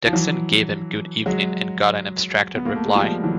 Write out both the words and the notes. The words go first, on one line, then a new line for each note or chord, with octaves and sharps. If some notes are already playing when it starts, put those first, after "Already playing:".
Dickson gave him good evening and got an abstracted reply.
F3
E3 F#3
F#3 G#3
B3
A#3
A3
G#3
F3 G3
E3 F#3